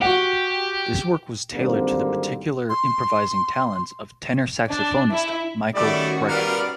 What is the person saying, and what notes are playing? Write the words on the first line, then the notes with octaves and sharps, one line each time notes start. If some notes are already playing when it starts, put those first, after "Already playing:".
This work was tailored to the particular improvising talents of tenor saxophonist Michael Brecker.
F#4 G4 F#5
G#1 D3 G3 A#3 C4
C6
D4
E4
D#3 G3 A3 C#4 E4 F#4 D5
G3 B3 A#4 B4 D5 F5 D6